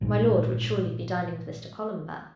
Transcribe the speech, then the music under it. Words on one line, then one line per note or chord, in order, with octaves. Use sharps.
My lord would surely be dining with Mr. Columbell.
A#1 G#2